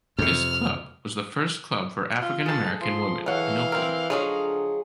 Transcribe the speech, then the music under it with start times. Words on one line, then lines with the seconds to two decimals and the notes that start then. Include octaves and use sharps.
This club was the first club for African American women in Oakland.
0.18 F2 C3 F6
2.22 F4
2.46 G#4 A4 A6
2.81 F3 C6
3.26 E3 F#3 F5 F#5
3.72 C4 A#4
4.10 D3 F3 F#3 D#4 G#4